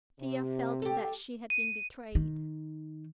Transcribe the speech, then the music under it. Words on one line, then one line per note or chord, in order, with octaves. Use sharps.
Thea felt that she had been betrayed.
C3
G4 A4
D#7
D#3